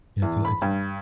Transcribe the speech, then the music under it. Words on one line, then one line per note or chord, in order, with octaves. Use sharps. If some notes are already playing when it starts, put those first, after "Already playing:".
Yeah, so, li it's
E2
B5
G2